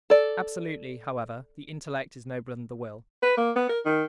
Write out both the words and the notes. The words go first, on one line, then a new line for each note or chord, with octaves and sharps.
Absolutely, however, the intellect is nobler than the will.
A4 D5
B4
A#3
B3
A#4
D#3